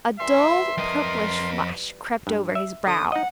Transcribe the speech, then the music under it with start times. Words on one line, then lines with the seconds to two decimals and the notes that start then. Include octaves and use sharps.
A dull, purplish flush crept over his brow.
0.20 E3 G3 E5 A#5 C6
0.78 F2 A#4 D#5
2.27 G2
2.55 E5
2.87 D3 D#6
3.12 D#4 D#5 F#5